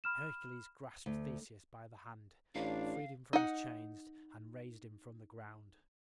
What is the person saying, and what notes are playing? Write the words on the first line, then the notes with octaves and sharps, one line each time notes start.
Hercules grasped Theseus by the hand, freed him from his chains and raised him from the ground.
B5 F6 E7
D2
A1 D4 F5
D#4 F#5